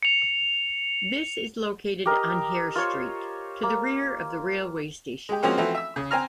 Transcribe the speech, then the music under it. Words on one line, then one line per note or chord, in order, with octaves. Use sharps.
This is located on Hare Street to the rear of the railway station.
C#7 F7
G4 A#4 D#5
F4 C5 C#5 C#6
A#3
G#3 G4
F3 G#3 A#3 C4 C#4 F#4
E3 F3 A3 C4 E4 F#4
E5 E6
C#3
C4 G#5 A#5 F6